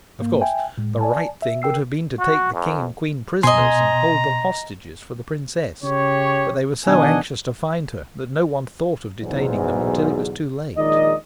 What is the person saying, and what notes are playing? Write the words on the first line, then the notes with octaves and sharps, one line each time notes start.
Of course, the right thing would have been to take the king and queen prisoners, and hold them hostages for the princess, but they were so anxious to find her that no one thought of detaining them until it was too late.
G#2 A#3
E5 G5 G#5
A2 G#3
D5 G#5 A5
E5
A#4 G5 E6 C7
F#4
F2
B2 D#5 G#5 A#5 C6
C#3 G4 C#5
B2 D#3 D4 D#5 F#5 G#5
B1 E2 G#2
A#1 D#3 G#3 A#4 D5 D#5